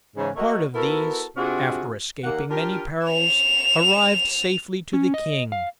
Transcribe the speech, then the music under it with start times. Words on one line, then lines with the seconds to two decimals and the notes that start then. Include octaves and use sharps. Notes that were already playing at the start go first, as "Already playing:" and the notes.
Part of these, after escaping many perils, arrived safely to the king.
0.16 G#2 C#3 E3
0.36 A3 A#3 F#4 C#5 D#5 F#5
0.74 B3 E4 F#4 A4 A#4
1.37 C3 C4 D4 F4 F#4 G#4
2.24 D#2 A#3 F#5
2.50 D4 F4 G4 A#4
3.07 E7 F7
4.93 C#4
5.14 D#5
5.52 F5